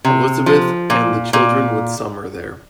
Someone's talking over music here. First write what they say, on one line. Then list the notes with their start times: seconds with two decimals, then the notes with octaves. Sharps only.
Elizabeth and the children would summer there.
0.05 C3
0.46 F3
0.90 A#2
1.33 A#2